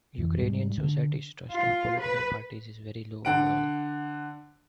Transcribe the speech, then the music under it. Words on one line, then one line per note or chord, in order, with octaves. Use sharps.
Ukrainian society's trust of political parties is very low overall.
F2 E3
G#2 G3
D3
F4
B4
D3 F#5 D7